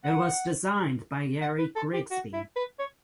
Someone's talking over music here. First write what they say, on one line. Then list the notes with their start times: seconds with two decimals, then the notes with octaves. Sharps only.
It was designed by Gary Grigsby.
0.04 F#5
1.41 F#5
1.58 B4
1.76 A4
1.94 G4
2.11 F#4
2.33 E4
2.56 B4
2.79 C#5